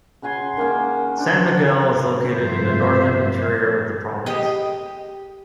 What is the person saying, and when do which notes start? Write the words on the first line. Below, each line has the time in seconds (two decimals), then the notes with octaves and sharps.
San Miguel is located in the northern interior of the province.
0.22 C#3 F#5 G#5 C6
0.57 D#3 A#3 C#4
1.17 D4 C5
2.28 G2 C3 F3 F4 C5 E5
4.26 G4 G#4 D#5